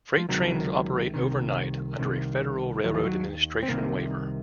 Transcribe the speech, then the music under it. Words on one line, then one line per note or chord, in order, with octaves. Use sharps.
Freight trains operate overnight under a Federal Railroad Administration waiver.
F3
C#2 C3 D#3 F#3
C2 C3 D#3
C2 C3 D#3
D#2 D#3 F#3
F3
F#3
C4
C2 C3 D#3 A#3